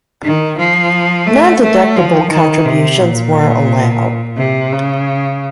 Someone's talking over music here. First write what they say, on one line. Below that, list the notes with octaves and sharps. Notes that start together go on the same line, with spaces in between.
Non-deductible contributions were allowed.
D#3
F3
A3
A3
F3
D#3
C3
A#2
C3
C#3